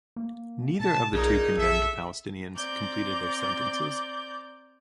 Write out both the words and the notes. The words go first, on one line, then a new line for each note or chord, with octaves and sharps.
Neither of the two condemned Palestinians completed their sentences.
A#3
B2 A5
B1 A#2 D#4 G#4
A#1 A4 E5
C4 D5 A#5 G6